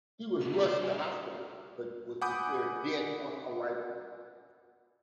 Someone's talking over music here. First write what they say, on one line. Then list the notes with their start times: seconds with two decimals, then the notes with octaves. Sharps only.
He was rushed to hospital but was declared dead on arrival.
0.40 E2 C3 B3 F#4
0.52 G3 D4 G4 B4 E5 A#5
0.66 C5
0.79 D4 F#4 A4 B4 G5 G#5
0.98 G4 A4 C5 D#5
2.22 F#5 G#5 B5 D6 D#6 G6